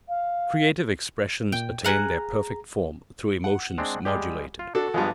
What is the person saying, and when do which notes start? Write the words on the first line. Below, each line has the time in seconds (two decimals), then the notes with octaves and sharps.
Creative expressions attain their perfect form through emotions modulated.
0.08 F5
1.52 A#2 G5
1.84 G#4 F5 F#5 G#5 A#5
3.44 F#5
3.78 G#3 C4 D4
4.05 G3 G#3 G4
4.59 F4
4.75 D4 F#4 A4
4.94 G2 F3 G#3 B3